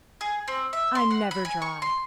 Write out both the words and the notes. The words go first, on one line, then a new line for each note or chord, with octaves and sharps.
I'm never dry.
G#4
C4
E5
C6
F#5
B5
G#5
C#6
C6